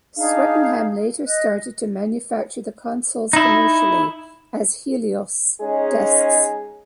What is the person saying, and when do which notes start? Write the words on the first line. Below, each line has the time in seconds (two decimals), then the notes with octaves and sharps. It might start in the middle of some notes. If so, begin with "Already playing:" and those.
Swettenham later started to manufacture the consoles commercially as Helios desks.
0.16 D4 D#4 G#4 F5
1.27 D#5 F#6
3.33 D#4 E4
5.62 G#3 C#4 D#4 G#4